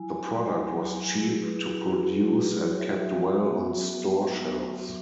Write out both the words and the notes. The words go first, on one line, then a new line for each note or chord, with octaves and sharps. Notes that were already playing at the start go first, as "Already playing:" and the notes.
The product was cheap to produce and kept well on store shelves.
Already playing: F#3 E4 G#5
F#3
F#3
E4 G#4
B4
E4 G#4
F#4
F#3 G#4
B4
F#3 C#5
E5
F#4
B3
B3
B3
F#3 E5